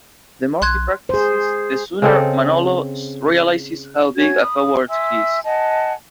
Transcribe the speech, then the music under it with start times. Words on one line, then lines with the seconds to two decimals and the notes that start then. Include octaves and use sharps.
The more he practices, the sooner Manolo realizes how big a coward he is.
0.62 B1 C6 F#6 G#6
1.09 G#4 C5
2.02 C#3 C4 A4 D#5
4.15 C#4 F#4 G#6
4.42 B5 D#6
4.89 E5 G#5 C6 E6
5.45 D#5 F#5 G#5 A5